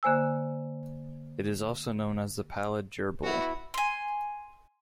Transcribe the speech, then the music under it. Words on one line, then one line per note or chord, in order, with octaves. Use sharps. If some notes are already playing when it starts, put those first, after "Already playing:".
It is also known as the pallid gerbil.
D3 A#3 C5 G#5 E6
B3 E4 F#4
G#5 C6